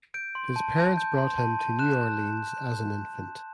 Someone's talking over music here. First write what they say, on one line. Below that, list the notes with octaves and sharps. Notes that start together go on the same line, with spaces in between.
His parents brought him to New Orleans as an infant.
G6 D7
C6
A5
A5
G6
C6
A5
A5
F#6 E7